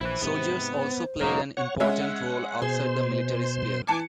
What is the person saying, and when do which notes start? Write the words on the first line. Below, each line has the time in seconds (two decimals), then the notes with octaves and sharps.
Soldiers also played an important role outside the military sphere.
0.01 A#1 E4 B4 C5
0.21 G#2 C3 B3
0.77 C5
1.21 E1 B2 F#3 A#3 D#4
1.57 C#5 F#5 C#6
1.80 G#3 C#4 E5 F#5
2.62 B2 G#4 C5 C6
3.87 E3 G#5 A5 D6 C#7